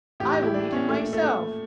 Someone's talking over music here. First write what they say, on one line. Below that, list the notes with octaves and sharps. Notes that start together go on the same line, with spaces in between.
"I will meet him myself!"
A2 E3 G4
G4
E4
D4
C#4
A#2 A3
A3
A3
A3